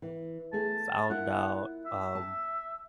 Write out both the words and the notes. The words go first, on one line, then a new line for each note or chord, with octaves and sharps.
found out, um,
E3
A3 G#4 A5
A#3 E4 F4 F#5
E5
A5